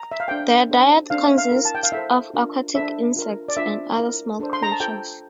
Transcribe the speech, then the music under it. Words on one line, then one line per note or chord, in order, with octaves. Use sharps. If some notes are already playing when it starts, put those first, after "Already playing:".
Their diet consists of aquatic insects and other small creatures.
Already playing: A#5
E5
F5
D4 A4 C5 G5
D4 A4 C5
D4 A4 C5 F5
E5
F5
E4 A#4
A5
G5
F5
E4 A4 C5 E5
D4 F4 A#4
D4 A4 C5 E5
F4 A#4
D5
D4 F4 C5 E5
E4 A#4
D4 A4 C5
C6
A#5
A5
F4 A4 C5 G5